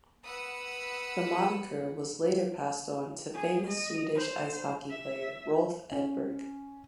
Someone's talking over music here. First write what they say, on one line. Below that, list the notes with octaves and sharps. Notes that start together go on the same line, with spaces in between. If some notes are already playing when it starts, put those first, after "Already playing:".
The moniker was later passed on to famous Swedish ice hockey player Rolf Edberg.
B4 F#5 B5 D#6 E6
G#4
D#5
C5
E5
C#4